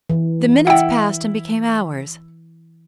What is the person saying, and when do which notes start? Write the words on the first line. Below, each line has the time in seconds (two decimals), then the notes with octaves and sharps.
The minutes passed and became hours.
0.10 E3
0.67 E4 F#5 G5